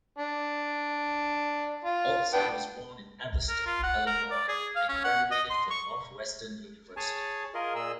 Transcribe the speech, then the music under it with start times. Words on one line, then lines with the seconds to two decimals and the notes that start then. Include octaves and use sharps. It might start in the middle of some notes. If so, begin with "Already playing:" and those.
Olson was born in Evanston, Illinois, and graduated from Northwestern University.
0.18 D4
1.85 F4
2.33 B3 D4 G5
3.48 A#4
3.66 F4
3.83 F#5
4.07 A#4
4.31 D5
4.48 G#4
4.75 F5
4.89 C#4
5.04 F#5
5.31 D#5
5.50 C6
5.70 C#6
6.97 G#4 C#5 G#5 A5
7.54 F4 G#4 A#4 D#5
7.76 A#2 G#4 D#5 E6